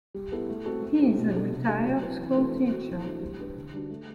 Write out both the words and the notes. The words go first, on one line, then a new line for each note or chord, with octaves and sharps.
He is a retired school teacher.
G3
B3 E4 A4
A3
C4 F#4 A4
A3
E4 G4 C5
B2
G3 D4 A4
C3
G3 D4 A4
F#3
C4 E4 B4
E3
A3 D4 F#4 B4
A3
C4 F#4 C5
E3
A3 D4 F#4 C5
G3
D4 G4 B4
D3
G3 D4 F#4
A3